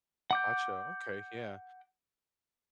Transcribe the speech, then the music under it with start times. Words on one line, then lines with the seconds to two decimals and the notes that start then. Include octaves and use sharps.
Gotcha, okay, yeah,
0.31 F#5 D6 G6